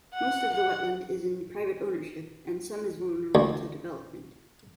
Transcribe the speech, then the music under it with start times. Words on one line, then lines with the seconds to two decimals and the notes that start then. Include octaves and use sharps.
Most of the wetland is in private ownership and some is vulnerable to development.
0.14 F#5
0.54 F#5
3.35 D2